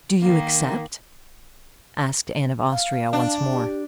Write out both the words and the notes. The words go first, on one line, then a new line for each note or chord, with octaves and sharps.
"Do you accept?" asked Anne of Austria, once more.
D#3 A#3
F5
D4
G4